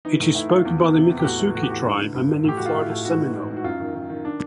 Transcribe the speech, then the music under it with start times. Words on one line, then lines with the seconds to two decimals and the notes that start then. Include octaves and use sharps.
It is spoken by the Miccosukee tribe and many Florida Seminole.
0.05 E3 D#4
0.20 A2 D#4
0.35 A2 E4
0.50 E3 F4
0.65 E2
0.80 E2
0.95 C3
1.10 E2
1.19 G4
1.24 A2 F#4
1.40 E3
1.55 A2 F#4
1.62 G4
1.70 E3 F#4
1.85 D3
2.00 D3
2.14 G2
2.30 D3
2.44 A2 G4
2.57 A2 F#4
2.66 F4
2.74 A2 E4
2.90 A2
3.05 G#2 F#4
3.20 E3
3.35 G#2
3.50 G#2
3.57 F#4
3.64 F#2 F4
3.80 D#3
3.95 D#3
4.10 D#3
4.25 D4